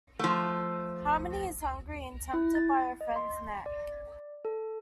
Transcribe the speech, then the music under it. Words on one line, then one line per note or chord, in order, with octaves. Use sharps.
Harmony is hungry and tempted by her friend's neck.
F3 A3
E4
A6
D#5
C6
D5
A4